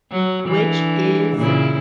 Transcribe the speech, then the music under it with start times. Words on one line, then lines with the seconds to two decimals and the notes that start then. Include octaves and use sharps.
which is
0.11 F#3
0.47 D3 E3
1.37 A#2 C#3 E4